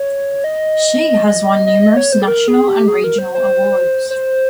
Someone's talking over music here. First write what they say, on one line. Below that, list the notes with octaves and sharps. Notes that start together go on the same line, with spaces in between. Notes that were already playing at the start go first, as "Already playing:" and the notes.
She has won numerous national and regional awards.
Already playing: C#5
D#5
D#5
D#5
C#5
C5
G#4
A#4
G#4
G4
G#4
A#4
C5
C5
C5